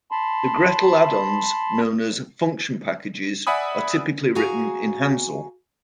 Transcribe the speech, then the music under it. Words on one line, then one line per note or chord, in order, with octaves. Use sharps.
The gretl add-ons known as "function packages" are typically written in hansl.
A5 B5 C6
D5 E5 F#5 G#5 B5 D#6
F#4 G#4 F5 G#5 A#5